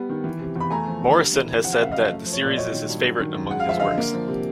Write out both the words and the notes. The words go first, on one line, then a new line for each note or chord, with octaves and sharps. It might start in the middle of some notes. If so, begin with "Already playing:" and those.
Morrison has said that the series is his favorite among his works.
Already playing: G3 B3
D#3
E3
C3
E2 B5
A3 G#5 A#5
F3
D3
G3
E3
C3
F3 F#5
F5
C#3 E5
F#2 D#5 F5
A3
F3
C#5
A#2 D5
F#3 C#5 D#5
D#3
G2
F#3
D#3
F#2
G#3 F#5
F5
F3 E5
D3 D#5 F5
A#3
F3
C3